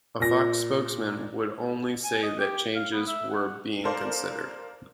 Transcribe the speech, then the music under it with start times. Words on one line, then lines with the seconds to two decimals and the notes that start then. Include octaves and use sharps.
A Fox spokesman would only say that changes were being considered.
0.20 A#2 A#6
2.04 G#5
2.23 D#5
2.39 G4
2.75 F5
2.94 B3
3.07 E5
3.30 F#5
3.84 A4 A#4 C5 D5 F5